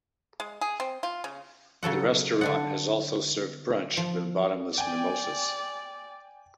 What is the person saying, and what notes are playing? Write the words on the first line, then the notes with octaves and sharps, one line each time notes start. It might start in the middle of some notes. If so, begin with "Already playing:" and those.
The restaurant has also served brunch with bottomless mimosas.
G#3
G#4
C4
F4
C#3
C#3 F#3 A4 F#5
D3 D4 F#5
F3
D5 G5 G#5